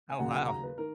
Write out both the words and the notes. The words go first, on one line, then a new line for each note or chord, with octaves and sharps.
Oh, wow.
G#5
D#2 C#3 F#3 A#3 F#5
F#5
A#5
B4
D#3 A#4